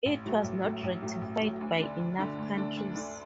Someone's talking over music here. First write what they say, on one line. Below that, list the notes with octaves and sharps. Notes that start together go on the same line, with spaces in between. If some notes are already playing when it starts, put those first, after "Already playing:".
It was not ratified by enough countries.
A1
A2 F#3 A3
A1
A2 F#3 A3
A1
A2 F#3 A3
A1
A2 F#3 A3
D2
D3 A3 D4
D2
D3 A3 D4
D2
D3 A3 D4
D2
D3 A3 D4